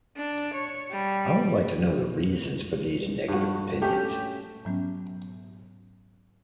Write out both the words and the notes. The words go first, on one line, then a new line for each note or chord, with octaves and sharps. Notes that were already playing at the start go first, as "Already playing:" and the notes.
I would like to know the reasons for these negative opinions.
D4
C#5
G3
G2 F#4
A3 C#4 G4
G#2 F#3 B3 C#4